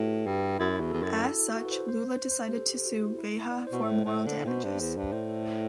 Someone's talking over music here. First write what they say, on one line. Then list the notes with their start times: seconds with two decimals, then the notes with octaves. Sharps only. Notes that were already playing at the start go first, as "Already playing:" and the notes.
As such, Lula decided to sue "Veja" for moral damages.
Already playing: A2 E4 F#4 G4 A4 B4
0.26 G2
0.59 F#2 E4
0.69 F#4
0.75 E4
0.80 E2
0.91 E2 A4
1.02 F#2
1.07 A4
1.24 A4
1.56 F#4
1.65 B4
1.72 C5
1.88 C5
2.11 C5
2.31 C5
2.48 G4
2.53 A4
2.70 G4
2.86 F#4
3.01 E4
3.18 E4
3.51 D5
3.67 C5
3.72 B2
3.83 A2
4.05 A2
4.26 D3
4.44 A2
4.47 B2 C5
4.64 G2
4.80 E2
4.97 G2
5.02 D5
5.12 A2 C5
5.29 A4
5.45 A4